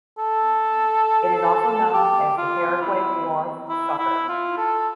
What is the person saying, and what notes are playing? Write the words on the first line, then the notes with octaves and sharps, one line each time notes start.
It is also known as the Paraguay dwarf sucker.
A4
G4
F4
E4
E4
E4
F4
A4